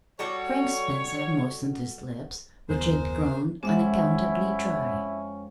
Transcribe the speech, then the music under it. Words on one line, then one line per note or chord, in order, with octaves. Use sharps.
Frank Spencer moistened his lips, which had grown unaccountably dry.
G3 F#4 A4 C#5
F#1 D#2 G#3 B3 A#4 C5
F2 G#3 C4 C#4 E4 E5 F#5 D6